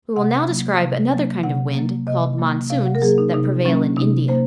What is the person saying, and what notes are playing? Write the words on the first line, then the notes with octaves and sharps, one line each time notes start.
We will now describe another kind of wind, called monsoons, that prevail in India.
C3 F#5
F#3 A#3
C3
F#3 A#3
C3 F#5
F#3 A#3
C3 D#5
F#3 A#3
C3 F5
F#5
A#4
F#3 A#3 G#4
D#4
C3 D#4
F#3 A#3 C#4
C3 D#4
A#3 C5